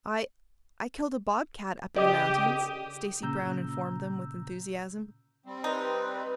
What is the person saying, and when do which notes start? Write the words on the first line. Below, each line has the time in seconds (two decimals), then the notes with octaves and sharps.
"I--I killed a bobcat up in the mountains," Stacy Brown informed them, with enthusiasm.
1.96 C#3 G4 D5 D#5 G5 D#6
3.22 A#2 C#3 A#5 E6 G6
5.46 G3 C4
5.64 D#4 B4